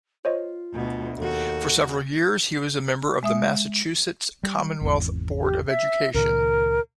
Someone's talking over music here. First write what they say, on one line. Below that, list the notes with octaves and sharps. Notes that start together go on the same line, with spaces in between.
For several years he was a member of the Massachusetts Commonwealth Board of Education.
F4 C5 C#5 D#5
D2 B2
D#2 F#4 A4
G#3 E5 D#6
G3
G#1 E2
G4
E5
C#2 A#2 D#3 A#4